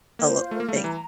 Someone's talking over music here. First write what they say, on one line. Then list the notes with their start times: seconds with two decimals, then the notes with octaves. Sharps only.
a litt big
0.19 A#3 C5
0.36 F4
0.51 A3 A#4
0.60 A#3
0.68 A3 F5
0.76 G3
0.84 E3 A#5